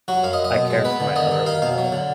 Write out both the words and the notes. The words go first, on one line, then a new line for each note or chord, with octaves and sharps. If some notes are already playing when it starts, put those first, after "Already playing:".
I care for my elderly mother.
F#3 F#4
F#2 F5
D#5
F#2
D#5
B2
G#3
B3 B4
D3
D#3 D#5
D#3
D#4 F5
B2 F5
F#3
D3